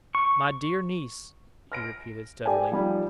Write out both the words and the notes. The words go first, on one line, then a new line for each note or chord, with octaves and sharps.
My dear niece,' he repeated steadily.
C#6
F6 A#6 D7
G4 A4 D5 G5 G#5
F3 G3 D#4